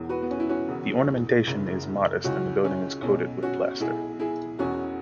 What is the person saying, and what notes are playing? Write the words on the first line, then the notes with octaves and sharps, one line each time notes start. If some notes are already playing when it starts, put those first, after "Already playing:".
The ornamentation is modest and the building is coated with plaster.
Already playing: E1 E2 E3
F#4 B4
B3
C#4
E4
C#4 F#4
E1 E2 C#3
F#1 F#2 C#3 E3
C#2 C#3 E3 C#4 F#4
C#4
B1 B2 C#4
C#4 F#4
B1 B2 E4 G#4
E4 G#4
E1 E2 B2 C#4 F#4